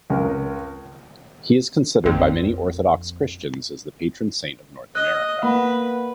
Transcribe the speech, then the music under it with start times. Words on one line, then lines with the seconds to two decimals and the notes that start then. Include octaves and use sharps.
He is considered by many Orthodox Christians as the patron saint of North America.
0.10 C#2 A#4
2.04 A#1 F2
4.95 D#5 F#6
5.43 A#3 B4 F#5 B5